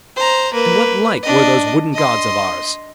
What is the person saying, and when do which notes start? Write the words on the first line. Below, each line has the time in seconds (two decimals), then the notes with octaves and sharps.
And what like were those wooden gods of ours?
0.16 C5 A#5
0.53 A#3 B4
1.23 D4 D#5
1.94 D#5 C6